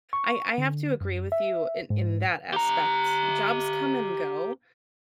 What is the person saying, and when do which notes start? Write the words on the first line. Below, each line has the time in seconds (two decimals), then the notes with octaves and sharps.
I I have to agree with you in in that aspect. Jobs come and go
0.13 C#6
0.58 D3
1.01 F#2
1.32 E5
1.90 G#2
2.53 G4 A#5